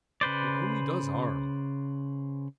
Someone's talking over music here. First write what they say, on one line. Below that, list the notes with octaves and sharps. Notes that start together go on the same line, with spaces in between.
It only does harm.
C#3 B4 C5 D5